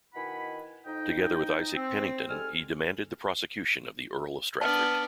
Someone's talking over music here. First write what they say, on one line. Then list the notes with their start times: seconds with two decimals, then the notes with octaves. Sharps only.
Together with Isaac Penington, he demanded the prosecution of the Earl of Strafford.
0.15 B2 D#3 E4 F#5 G#5 B5
0.86 F2 D#4 D#5 G5
1.75 C4
2.29 G#2 G3 A4 G#5 F6
4.61 B3 D4 A5 F6